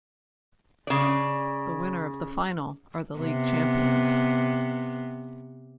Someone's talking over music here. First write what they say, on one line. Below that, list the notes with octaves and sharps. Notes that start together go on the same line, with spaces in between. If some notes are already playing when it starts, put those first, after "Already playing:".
The winner of the final are the league champions.
C#3 D5
C3 B3